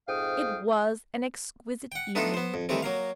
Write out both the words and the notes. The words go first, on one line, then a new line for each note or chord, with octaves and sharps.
It was an exquisite evening.
F2 G#2 F5 G5 D#6
F#5 G5
A3 B3 D4 D#4 F4 A4
B3 C5
F2
D#3 E3 G3 A3 C4
F#3 A#3 F5